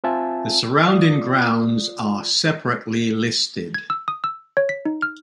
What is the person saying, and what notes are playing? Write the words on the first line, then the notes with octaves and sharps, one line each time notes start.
The surrounding grounds are separately listed.
C4 F4 E5 G#5 A5
F4 D5 D#6
G#6
E6
D#6
E6
C#5
B6
D#4
F6